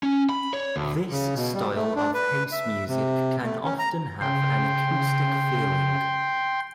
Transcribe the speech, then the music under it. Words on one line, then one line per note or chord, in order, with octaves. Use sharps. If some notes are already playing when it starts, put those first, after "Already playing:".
This style of house music can often have an acoustic feeling.
C#4
B5
C#5
D2
C#3
B2
G3
A3
D4
B4
E5
C3
A3
C#4
A#5
C#3 G5 C6